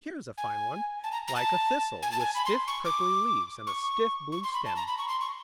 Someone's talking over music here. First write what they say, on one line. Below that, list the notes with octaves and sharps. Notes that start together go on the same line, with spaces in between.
Here is a fine one, like a thistle, with stiff prickly leaves, and a stiff blue stem.
G#5
A5
A#5
A#5
A5
G#5
A5
G#5
B5
C6
C#6
D6
C#6
C#6
C6
B5
A5
A#5
B5
C#6
C6
C#6